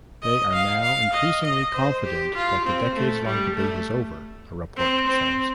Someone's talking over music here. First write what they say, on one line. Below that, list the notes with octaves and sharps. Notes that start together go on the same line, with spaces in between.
They are now increasingly "confident that the decades-long debate is over" a report says.
D#5
F5
F5
D#5
D#5
C5
G4
F4
C4
A3
G3
A3
C4
C4